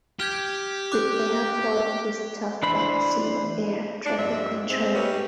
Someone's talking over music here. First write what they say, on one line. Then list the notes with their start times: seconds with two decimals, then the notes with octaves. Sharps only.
The airport is staffed by a single air traffic controller.
0.20 G4 F6 G6 G#6
0.92 D6 F#6 G6
2.63 E3 D4 E4 C5 B5
4.05 D4
4.16 G2 F3 G3 G#3 E5
4.69 G#2 G#3 C4
4.95 G3 A3 G4 B4 C#5